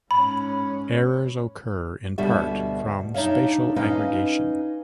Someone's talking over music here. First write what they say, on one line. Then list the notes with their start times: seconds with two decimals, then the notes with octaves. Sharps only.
Errors occur in part from spatial aggregation.
0.11 G#2 C#4 B5
2.18 D2 B2 G3 D4 F#4 E5
3.14 D4 D#4 C#5 E5 F5
3.76 C#4 D#4 B4 F5